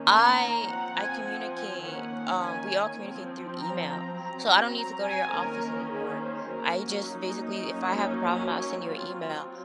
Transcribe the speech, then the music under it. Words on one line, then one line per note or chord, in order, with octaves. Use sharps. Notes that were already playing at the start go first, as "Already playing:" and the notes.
I I communicate, um we all communicate through email, so I don't need to go to your office anymore. I just basically, if I have a problem, I'll send you a email.
Already playing: D#3 A#3 C#4
A#5
F3 C4 F#5
G#5
F#5
G#5
D#3 A#3 C#4 F#5
G#5
F3 C4
A#5
A#5
F#3 C4 A#5
A#5
G#5
D#3 A#3 C#4 A#4
G#4
C5
F#3 A#3 C#4 A#4
F#4
D#4
F#3 A#3 C#4
F#3 C4 F4